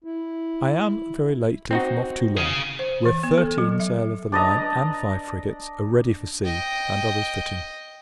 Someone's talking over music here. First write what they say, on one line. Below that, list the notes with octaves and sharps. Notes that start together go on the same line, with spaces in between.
I am, very lately, from off Toulon; where thirteen sail of the line, and five frigates, are ready for sea, and others fitting.
E4
C4 D#4 F#4
G#4 F5
C5
E3
B3
A4
F#3
E5
D4 D5 D#5 A#5
D#5 G5